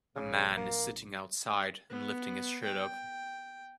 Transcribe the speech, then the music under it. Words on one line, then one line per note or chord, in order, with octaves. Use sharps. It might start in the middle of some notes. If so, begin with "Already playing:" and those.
A man is sitting outside and lifting his shirt up.
A#1 C#3
A#3
B3
G5